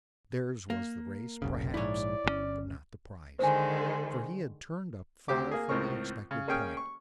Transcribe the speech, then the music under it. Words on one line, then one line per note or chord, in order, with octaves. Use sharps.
Theirs was the race, perhaps, but not the prize, for he had turned up far from the expected point.
A#3
F1 B1 C#3
A#1 G#2 E4 C#5 D5
G1 B2 C#4
D3 D#3 G#3 C5 G#5
D2 C4 G4 D6
A#3 G#4
C#2 A2 C4 A#4 C#6
C#3
A#3 C#4 G#4 G5 C#6 F6
C#6